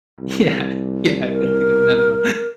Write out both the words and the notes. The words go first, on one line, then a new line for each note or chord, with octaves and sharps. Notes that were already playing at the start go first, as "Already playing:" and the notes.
yeah, yeah, I couldn't think of another one,
C2
A#4